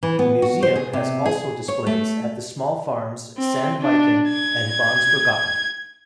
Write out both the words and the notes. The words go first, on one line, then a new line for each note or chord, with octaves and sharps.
The museum has also displays at the small farms Sandviken and Bagnsbergatn.
E3
B3
F#4
C5
G#4
C3
G#4
C#5
A3
C4
D4
G#6